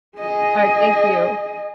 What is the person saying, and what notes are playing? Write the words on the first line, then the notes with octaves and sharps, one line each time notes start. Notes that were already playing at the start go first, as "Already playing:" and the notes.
Alright, thank you.
G#4 D#5